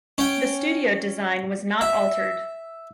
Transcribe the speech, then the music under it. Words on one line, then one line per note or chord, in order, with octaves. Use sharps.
The studio design was not altered.
C#4 G5
E5